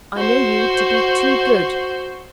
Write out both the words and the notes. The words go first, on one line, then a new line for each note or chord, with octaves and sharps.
I know you to be too good.
F#4 C5